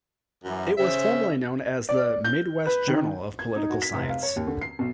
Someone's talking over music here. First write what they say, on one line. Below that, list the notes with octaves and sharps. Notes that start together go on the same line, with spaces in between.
It was formerly known as the "Midwest Journal of Political Science".
F#2 E3
C#3 C#4 C5 E5
D5
G6
B4
D#3
G#6
D#4
F#4
B6
F1
F5
C#5
D#2
D3
C7
B1